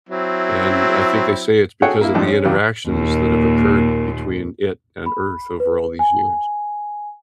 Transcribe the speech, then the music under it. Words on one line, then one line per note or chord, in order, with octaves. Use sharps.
and I think they say it's because of the interactions that have occurred between it and Earth over all these years.
F#3 C4 E4
F#4 G#4 A4 C#5 F#5 G5
A#3 E4
F2 A2 G#3 D4
C#4
E2 C#3 F#3 G3
D#2 A#2
B5
B4
G#5